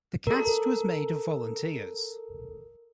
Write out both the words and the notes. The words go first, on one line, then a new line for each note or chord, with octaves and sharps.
The cast was made of volunteers.
A4 A#4